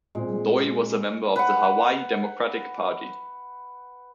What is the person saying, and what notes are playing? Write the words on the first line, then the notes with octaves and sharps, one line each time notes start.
Doi was a member of the Hawaii Democratic Party.
A#2 G#3 C4
B4 F#5